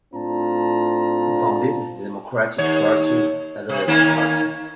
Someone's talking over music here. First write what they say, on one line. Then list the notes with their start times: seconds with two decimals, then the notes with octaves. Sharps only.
He founded the Democratic Party Adilet party.
0.13 A2 C4 D4 F4 A5 A#5
2.58 D#2 C#5
3.69 C3
3.87 D#3 A#3 C#4